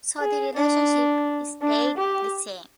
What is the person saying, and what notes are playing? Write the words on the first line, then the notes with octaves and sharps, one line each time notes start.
So the relationship stayed the same.
G#4
D4
D4
G4